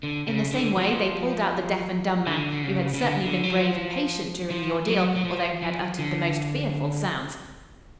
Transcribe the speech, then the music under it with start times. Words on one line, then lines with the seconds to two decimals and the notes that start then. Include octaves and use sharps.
In the same way they pulled out the deaf and dumb man, who had certainly been brave and patient during the ordeal, although he had uttered the most fearful sounds.
0.03 D3
0.28 C#3
0.53 D3
0.77 F3
2.27 D3
2.53 D3
2.64 C#3
2.94 C#3
3.01 D3
3.25 D3
3.43 F#3
3.51 F3
4.50 F3
4.87 F#3
5.16 F#3
5.25 F3
5.62 F3
5.99 D3